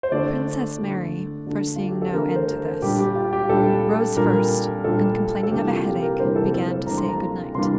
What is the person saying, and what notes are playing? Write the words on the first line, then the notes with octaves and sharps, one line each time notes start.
Princess Mary, foreseeing no end to this, rose first, and complaining of a headache began to say good night.
C5
D3 A3 D4 D5
D3 A3 D4
D3 A3 D4
F4
G4
A4
D3 A3 D4 A#4
C5
A#4
A#2 G3 D4 G4
G4
F4
G4
A#2 G3 D4 A4
A#2 G3 D4 A#4
A#2 G3 D4 A4
A4
C3 E3 G3 A#3 D4 G4
F4
G4
A#4
C3 E3 G3 A#3 D4 C5
A4
A4
C5
C3 E3 G3 A#3 D4 A#5
C6
A#5
C3 E3 G3 A#3 D4 C6